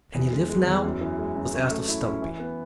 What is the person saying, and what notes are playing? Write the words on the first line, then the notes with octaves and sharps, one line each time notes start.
"Can he live now?" was asked of Stumpy.
E2
G#3
G#3
E2
F#2
E3
G#3
F#2
C#4
A3
E4
C#4
E3
B3